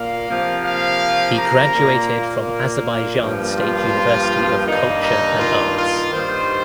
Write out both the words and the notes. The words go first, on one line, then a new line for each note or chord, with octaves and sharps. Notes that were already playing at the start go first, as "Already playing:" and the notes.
He graduated from Azerbaijan State University of Culture and Arts.
Already playing: A#2 A#3 F5
C3 F3 A#3
F5
A#5
A#2 A#3
G2 F3 A#3
F4
G2 D#3 A#3 D#4
D#4
F4
F4
G2 D#3 G3 C5